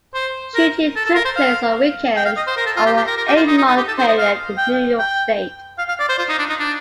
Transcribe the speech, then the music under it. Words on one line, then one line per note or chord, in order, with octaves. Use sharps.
Shooting took place on weekends over an eight-month period in New York State.
C5
A#4
A4
A4
A#4
C5
F5
G5
F5
D#5
C5
A#4
A4
F4
G4
G4
A#4
A#4
G4
F4
D#4
D#4
D#4
G4
A4
C5
D#5
F5
G5
G5
F5
F5
D5
C5
F4
D#4
D4
D#4
D4